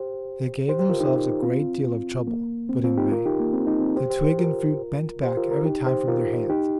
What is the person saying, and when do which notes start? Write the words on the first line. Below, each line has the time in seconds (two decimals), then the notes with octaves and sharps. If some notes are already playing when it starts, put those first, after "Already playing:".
They gave themselves a great deal of trouble, but in vain; the twigs and fruit bent back every time from their hands.
Already playing: G4 C5
0.68 G4 C5
0.79 G4 C5
0.89 F4 A#4
1.00 D#4 G4
1.42 C4 F4
2.27 A#3
2.69 C4
2.84 C4 F4
2.98 D#4 G4
3.12 F4 A#4
3.26 D#4 G4
3.40 A#3
3.53 C4
3.67 D#4
3.80 C4
3.96 G4 C5
4.10 G4 C5
4.24 G4 C5
4.38 F4 A#4
5.23 G4 C5
5.37 F4 A#4
5.51 F4 A#4
5.65 D#4 G4
5.87 G4 C5
6.08 F4 A#4
6.50 D#4 G4